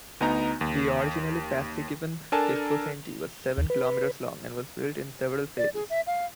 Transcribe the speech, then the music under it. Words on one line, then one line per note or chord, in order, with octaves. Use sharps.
The originally "Paasikiven–Kekkosentie" was seven kilometers long and was built in several phases.
D2 B3 D#4 A#5
D#2
D4 A4 A#4 G#5 A5
D#2
B4
D5
G#4
E5
F5